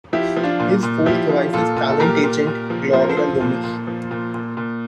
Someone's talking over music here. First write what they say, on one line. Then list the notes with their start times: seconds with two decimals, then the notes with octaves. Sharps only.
His fourth wife is talent agent Gloria Loomis.
0.13 F3 E4 G4
0.37 F3
0.44 D4 F4
0.59 A#2
0.83 A#2
1.06 F3 E4 G4
1.30 F3
1.53 A#2 F4 A4
1.76 A#2
1.88 A4
2.00 A#2 G4 A#4
2.24 A#2
2.47 A#2
2.70 F3
2.93 F3 C5
3.02 A#4
3.09 A4 C5
3.17 F3
3.40 A#2
3.64 A#2
3.87 F3
4.11 A#2
4.34 A#2
4.57 A#2